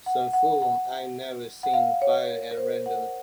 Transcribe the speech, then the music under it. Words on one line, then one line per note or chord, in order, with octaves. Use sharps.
Some fool I'd never seen fired at random.
F#5
F#5
F#5
F#5
F5
C#5
A#4
C5
F#5